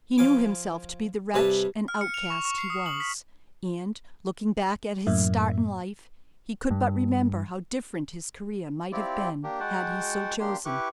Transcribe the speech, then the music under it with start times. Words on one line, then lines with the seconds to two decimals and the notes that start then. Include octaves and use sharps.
He knew himself to be the wretch and outcast he was; and, looking back at his start in life, he could but remember how different his career might have been had he so chosen.
0.18 F3 F5 G#5 D6
1.34 G2 C3 B4 G#5 A5
1.88 F6
2.01 C#7
2.14 F7
2.30 C#6
2.45 C#6
2.58 C7
2.70 D#6
2.86 F#7
3.00 B6
5.07 F#2 A2 A#3 E5
6.71 G2
8.92 C4 E4 F4 G4 D5
9.44 A#3 D4 G4
9.60 G#3 F#4 F#5 G5 A5
10.40 A#3 D4 G4 C6
10.66 E4 G4 B4 C#6 D6 F#6